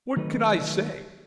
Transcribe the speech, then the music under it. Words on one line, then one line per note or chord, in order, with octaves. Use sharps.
What could I say?
D#3 F#3 A3 D#4 B4